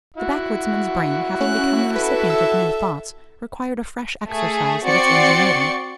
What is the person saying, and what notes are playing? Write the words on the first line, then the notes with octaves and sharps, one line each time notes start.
The backwoodsman's brain having become the recipient of new thoughts, required a fresh exercise of its ingenuity.
E4 F#4 F#5
C#4 F#6
A4 B4 E5
E6
A3 G#4
C4 F#4 D5 C6 C#6 C#7